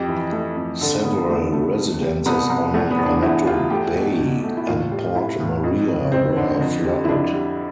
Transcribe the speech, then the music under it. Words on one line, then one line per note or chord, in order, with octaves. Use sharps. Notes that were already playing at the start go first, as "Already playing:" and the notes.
Several residences on Annotto Bay and Port Maria were flooded.
Already playing: F2 G4
E3
A3
F2
D3 A4
D3 B3
D3 A3
A3
C3
G3
C2 B3
C2
E2 A3
B3
E2
D4
E2 E4
G3 F4
A3 G4
B2
B2
A3
E4
A2 F4
G3
G3 E4
A2
F2
F2
F2 C4
D3
F2
G3
E4
F2 D4
G3